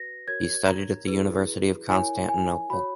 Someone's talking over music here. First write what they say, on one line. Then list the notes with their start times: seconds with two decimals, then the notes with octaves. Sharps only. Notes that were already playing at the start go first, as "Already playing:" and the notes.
He studied at the University of Constantinople.
Already playing: F#4 B4 A#6
0.27 F#4 A#4 C#5 G#6
0.68 A#5
1.08 E4 G#4 B4
1.88 E4 A#4 C#5 G#5
2.29 G#5
2.70 F#4 C#5 B5